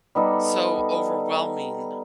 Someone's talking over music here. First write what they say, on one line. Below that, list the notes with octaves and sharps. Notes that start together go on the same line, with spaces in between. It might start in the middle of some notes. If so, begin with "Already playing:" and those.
so overwhelming
G3 B3 D#4 A4